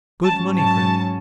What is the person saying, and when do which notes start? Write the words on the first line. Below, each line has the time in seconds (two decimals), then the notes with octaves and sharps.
Good money, Gregg.
0.23 G#2 F#3 C#4 A5
0.54 A5